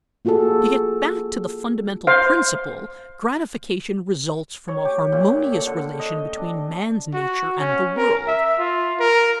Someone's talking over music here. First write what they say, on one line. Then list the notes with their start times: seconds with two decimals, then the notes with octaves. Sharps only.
To get back to the fundamental principle: gratification results from a harmonious relation between man's nature and the world.
0.25 A#3 F4 F#4 G#4 A4
2.07 C5 F5
4.68 C#5
4.85 G4
5.12 A#2
5.52 A4
5.67 D3
5.99 D#5
6.37 D4
7.14 F#4
7.60 C#4
7.97 A#4
8.28 E5
8.58 F4
9.00 A#4